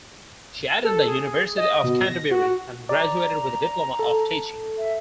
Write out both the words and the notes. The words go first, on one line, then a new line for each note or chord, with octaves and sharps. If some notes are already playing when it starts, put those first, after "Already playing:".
She attended the University of Canterbury and graduated with a Diploma of Teaching.
A4
G#4
D#5
B2
A#6
F#4
D5 A#5
A4
E5